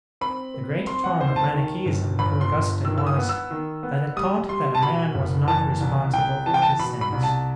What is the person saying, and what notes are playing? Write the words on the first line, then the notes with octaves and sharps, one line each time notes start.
The great charm of Manicheism to Augustine was that it taught that a man was not responsible for his sins.
C4 B5
C4
C4 C6
F#5
D#2 C5
A5
D#3
G1
G1 B5
C6
G1
D#3 E6
E6
D#6
B3
E6
D#3
B3
G3 D#6
G3 C6
A5
B2 B5
F#1
E3 A5
C2
C2 G5
E3 A5
G5
A5
B2 B5
B5
C2
A5